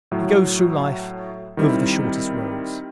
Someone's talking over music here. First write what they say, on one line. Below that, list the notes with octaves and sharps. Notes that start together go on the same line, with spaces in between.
He goes through life over the shortest roads.
A2 F#3 A3
D#3 G3 C4 E4